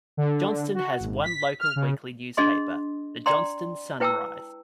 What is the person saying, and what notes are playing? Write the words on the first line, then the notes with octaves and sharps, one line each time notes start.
Johnston has one local weekly newspaper, the Johnston Sun Rise.
D3
F#4
G#1
B6
F6
C#3
D4 G#4 D#5 C6
D5 G5 A#5 C6
E4 B4 G5 A5 A#5 E6